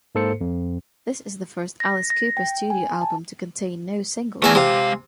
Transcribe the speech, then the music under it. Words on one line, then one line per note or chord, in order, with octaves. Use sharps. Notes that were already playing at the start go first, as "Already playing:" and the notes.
This is the first Alice Cooper studio album to contain no singles.
G#2 A#3 A4 C5 C#7
F2
A#6
A#6
G5
G#5
A5
E2 E3 A3 E5 G#5
C3 G#3 F5